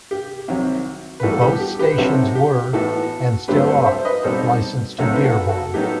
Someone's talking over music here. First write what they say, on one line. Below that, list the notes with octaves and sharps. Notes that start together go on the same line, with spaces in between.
Both stations were, and still are, licensed to Dearborn.
G4
C2 C3 D#3 F#3
B4
A2 E3 G3 B3 F#4 A4
A4
G4
G4
G4 B4
B4
C3 F#3 C4 D#4 F#4 A4
G4
A2 E3 B3 F#4 A4
G2 F#3 A3 C4 G4 B4
A4 C5
C5 E5
B4 D#5
B2 G3 C4 D#4 A4 C5
C3 F#3 A3 D#4 F#4 A4
B4
F#4 A4
F#4 A4
A2 F#3 B3 D#4 G4
A4